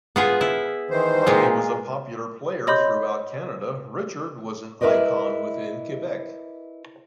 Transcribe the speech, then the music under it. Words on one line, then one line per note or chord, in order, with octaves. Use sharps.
While he was a popular player throughout Canada, Richard was an icon within Quebec.
B3 F4 G#4
E4
D#3 E3 C5
A#2 G#3 F4
C#5 D#5 B5 C6 G6
E4 A#4 B4 D5 D#5